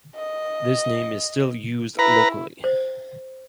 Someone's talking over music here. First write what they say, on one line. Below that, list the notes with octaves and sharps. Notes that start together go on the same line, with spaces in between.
This name is still used locally.
D#5
E4 B4 A#5
C5